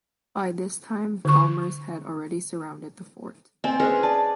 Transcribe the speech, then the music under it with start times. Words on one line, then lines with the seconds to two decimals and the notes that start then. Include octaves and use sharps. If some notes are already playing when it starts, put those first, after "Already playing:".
By this time, Chalmers had already surrounded the fort.
1.25 D3 C#6
3.64 C4 D5 D#5 G#5
3.80 C#4 G#4 B4 C5 D#5
4.03 D5 A5